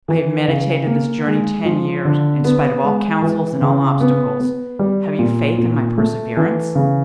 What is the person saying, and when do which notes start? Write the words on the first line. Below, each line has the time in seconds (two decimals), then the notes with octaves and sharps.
I have meditated this journey ten years, in spite of all counsels and all obstacles--have you faith in my perseverance?
0.08 E3
0.48 C#3
0.87 A#3
1.27 G#3
1.65 F3
2.05 D3
2.44 B3
2.83 G#3
3.22 E3
3.62 C#3
4.01 B3
4.40 B3
4.79 G3
5.19 A#2
5.58 A#2
5.98 A3
6.37 E3
6.75 C#3